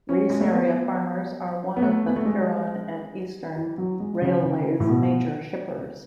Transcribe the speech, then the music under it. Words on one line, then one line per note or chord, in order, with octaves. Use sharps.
Reese area farmers are one of the Huron and Eastern Railway's major shippers.
C#4
G#3
A3
B3
B3
A3
B3
A3
G#3
E3
F#3
G#3
C#3
C#3
A2
B2